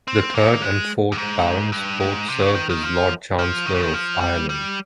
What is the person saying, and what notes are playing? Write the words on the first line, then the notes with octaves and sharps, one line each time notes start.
The third and fourth Barons both served as Lord Chancellor of Ireland.
C4
A#3
G#3
G2
G#2
G2
G#2
C3
C#3
D#3
D#3
F3
F3
D#3
C#3
D#3
F3
G3
G3